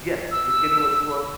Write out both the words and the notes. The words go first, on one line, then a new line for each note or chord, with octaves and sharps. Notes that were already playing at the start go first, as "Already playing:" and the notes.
Yes, you're getting what you want
E6